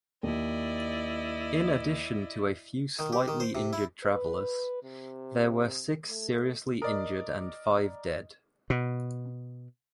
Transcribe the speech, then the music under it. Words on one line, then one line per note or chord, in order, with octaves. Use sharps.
In addition to a few slightly injured travelers, there were six seriously injured and five dead.
D#2 E4 D5 D#5
D#3
G4
D#3
C5
C3
E4
B4
C3
A3
A#4 D5 D#5 D#6
B2